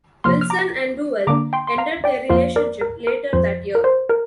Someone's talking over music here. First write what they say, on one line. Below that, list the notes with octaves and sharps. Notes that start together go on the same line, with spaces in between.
Wilson and Duell ended their relationship later that year.
C3 F3 A#3 C6 F6
F6
A#5 D6
D3 A#3 D4 A#5 D6
G5 C6
C6
F5 A#5
D5 G5
F2 F3 A#3 F4 C5 F5
A#4 D5
A#4
A#4
F2 F3 C4 C5
A#4
C5
A#4